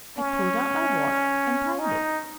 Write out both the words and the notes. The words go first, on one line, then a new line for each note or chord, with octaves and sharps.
I pulled out my watch and timed it.
C#4
D#4